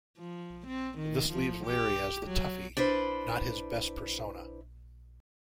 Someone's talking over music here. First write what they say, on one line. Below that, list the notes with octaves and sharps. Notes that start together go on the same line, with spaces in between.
This leaves Larry as the toughie - not his best persona.
F3
C4
D#3
F3
G4
F#3
D4 E4 B4 C5